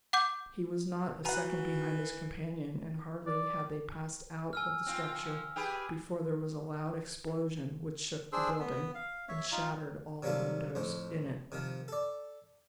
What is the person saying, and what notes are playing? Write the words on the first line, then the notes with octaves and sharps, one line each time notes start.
He was not a second behind his companion, and hardly had they passed out of the structure before there was a loud explosion which shook the building, and shattered all the windows in it.
F#5 D6 G6
E3 B3 F#4 F#5 G#5 A#5
D5
G#5 E6 F6
C4 F4
F3
G4 G#4 B4
D4 G#4 C5 E6
B3
F5
C#5 E5
D#4 F4
C3 F#3 G3 A#3 F4 A4
F2 A2 C5
C3 D#3 F3
A4 D5